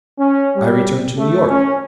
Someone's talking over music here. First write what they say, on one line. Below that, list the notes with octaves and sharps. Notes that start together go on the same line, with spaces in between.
I returned to New York.
C#4
G3
A3
C#4